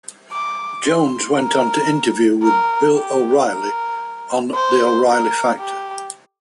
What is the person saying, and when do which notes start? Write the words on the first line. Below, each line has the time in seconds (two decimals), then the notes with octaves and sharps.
Jones went on to interview with Bill O'Reilly on "The O'Reilly Factor".
0.32 D6
0.85 C6
1.38 A#4
2.43 A#4
2.95 G4
3.48 A#4
4.54 C5
5.07 A#4
5.59 G4